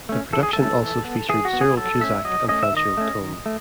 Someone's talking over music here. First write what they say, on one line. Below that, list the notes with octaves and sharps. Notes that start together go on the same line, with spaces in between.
The production also featured Cyril Cusack and Franchot Tone.
A3 C#4
E3 A4
G#4
A3 C#4 A4
E3
B3
E3 G#4
F#4
B3
G#4
F#3 A4
A3 C#4 E5
F#3 D#5
A3 C#4 D#5
E5
D#3 D#5
A3 C#4
D#3
A3